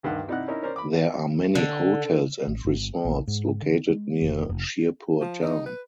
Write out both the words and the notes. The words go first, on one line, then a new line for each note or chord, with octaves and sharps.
There are many hotels and resorts located near Shirpur town.
D2 G2 D#3 F#5
C3 D#4 E4 D5 F#5 F#6
C#4 D#4 E4 A#4 D#5
C#4 A#4 C5 D5
B5 D6
D3
A1
G1
A#1
G#2
D3
G#3
F1
F1
F3
D#4
B4